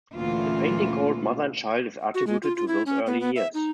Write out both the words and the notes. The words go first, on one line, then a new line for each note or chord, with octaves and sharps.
The painting called "Mother and Child" is attributed to those early years.
D2 A#2 E3 A#3 C#4 F4
F#4
G#3
F4
F4
E4
C#4
B3
B3
E5
D#4